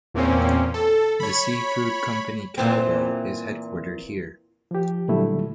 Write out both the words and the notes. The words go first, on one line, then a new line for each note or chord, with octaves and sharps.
The seafood company Calvo is headquartered here.
E2 A#2 A#3 C4 C#4
A4
C#5 B5
A#2 E3 C4
F3 G4
A#2 D3 F#3 G3 A3 E4